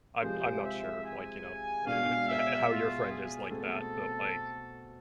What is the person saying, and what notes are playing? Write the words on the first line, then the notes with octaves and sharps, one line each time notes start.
I'm I'm not sure, like, you know, e eh he eh how your friend is like that, but, like
C3 F3 G#3 C5
E5
G#5
B2 G#3 D4 F5
E5
F4
G#4
B2 A3 C4 A4